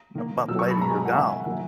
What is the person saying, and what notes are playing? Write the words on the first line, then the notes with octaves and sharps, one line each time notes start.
and a month later you're gone,
D#3 A#3
B2 F#3 A#3 E6
C#6
B5
B2 G#3 A#5
G#5
A#5
F#5
D#3 A#3 E5
G#5
F#5
D#3 F#3 A#3 E5